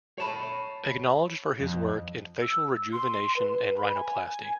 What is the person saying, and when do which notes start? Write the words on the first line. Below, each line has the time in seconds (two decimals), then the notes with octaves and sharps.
Acknowledged for his work in facial rejuvenation and rhinoplasty.
0.18 C#5 A5 B5
1.60 F2
2.42 E6
2.93 C6
3.36 B4
3.78 B5
3.95 G#5